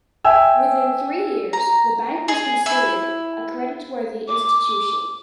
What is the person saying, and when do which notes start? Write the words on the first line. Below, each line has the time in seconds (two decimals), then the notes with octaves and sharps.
Within three years, the Bank was considered a creditworthy institution.
0.25 E5 G5 G#5 E6
1.53 A#5
2.28 G#4
2.66 E4
4.28 D6